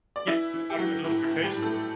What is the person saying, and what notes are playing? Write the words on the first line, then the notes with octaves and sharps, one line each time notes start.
Yeah, with like the notifications.
D5
E3 E4 E5
E3
G4
E3 F#3 F#4
A2 E4
E4
A2
G3 G4
A2
A3 A4